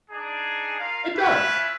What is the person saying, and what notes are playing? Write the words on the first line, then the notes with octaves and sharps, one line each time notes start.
It does.
D4 D#4 G#4
F4 A#4 F5
C#4 E4 F4 B4 E5